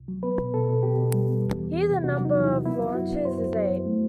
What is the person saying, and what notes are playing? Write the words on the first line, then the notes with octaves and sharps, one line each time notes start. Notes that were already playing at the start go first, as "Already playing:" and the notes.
Here the number of launchers is eight.
Already playing: C2
F#3
B3 B4
B2
B2 A4
B2
B2 G4
B2
G3
B3
E2
E2
E2
C3
C3 F#4
F#3
D#4
E2
C3 E4
B3 E4
F#3
F#2 F#4
B3
F#2 C5
F#2
F#3
F#2
A3